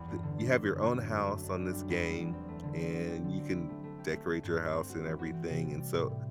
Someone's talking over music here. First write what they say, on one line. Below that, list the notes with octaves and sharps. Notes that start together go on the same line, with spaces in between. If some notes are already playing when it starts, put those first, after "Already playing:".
th you have your own house on this game, and you can decorate your house and everything, and so,
Already playing: E2 G3 B3
G2
D3
D4
C4
F#2
F#3
F#2
A3
A3
D4
F#2
G3
E2
G3
E2
C4
A3
D3
C4
F#3
G4
D3
C4
E4
A3
A3
G4
A3
A3
G2
G2
C4
F#4
E3
F#4
C4
C3
G3
G3
A2
A2